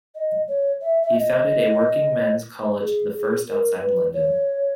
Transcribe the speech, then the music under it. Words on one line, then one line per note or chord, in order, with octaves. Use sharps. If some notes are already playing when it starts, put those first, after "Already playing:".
He founded a Working Men's College, the first outside London.
D#5
C#5
E5
E5
D#5
G#4
G#4
A#4
B4
C#5